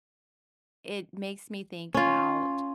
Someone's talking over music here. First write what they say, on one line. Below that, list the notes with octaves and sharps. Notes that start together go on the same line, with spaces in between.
it makes me think about
C#4 F4